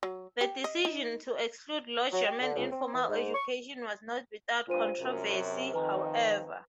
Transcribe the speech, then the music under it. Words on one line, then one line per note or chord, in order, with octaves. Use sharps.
The decision to exclude Low German in formal education was not without controversy, however.
F#3
G4
D#5
D#4
F#3
G4
D3
C#2
C4
E3
G#2
C#6
G2 A#2 F4 C5 D#7
F#2 C3
F2 D#3 B4 G#5 A#5